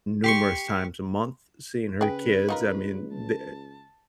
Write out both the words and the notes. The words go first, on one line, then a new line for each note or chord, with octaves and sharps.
numerous times a month seeing her kids, I mean, the
G4 C6 C#6
C#3 G#4 B4 G5
C#2 D#4 F4 A#4
A5